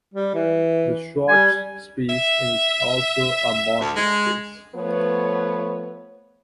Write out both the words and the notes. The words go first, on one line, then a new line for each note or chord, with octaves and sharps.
The Schwartz space is also a Montel space.
G3
E3
G3 G#5
E5
D2
G#3
F3 A3 B3 B4 C#5